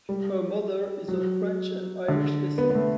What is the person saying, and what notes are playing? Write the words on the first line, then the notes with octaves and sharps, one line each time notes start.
Her mother is of French and Irish descent.
G3
F#3
D3
B3
B3
A3